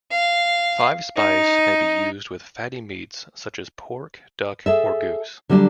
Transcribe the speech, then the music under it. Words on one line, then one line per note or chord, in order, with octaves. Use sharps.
Five spice may be used with fatty meats such as pork, duck or goose.
F5
D#4
G#4 A4 E5
D3 F#3 G3 C#4 D4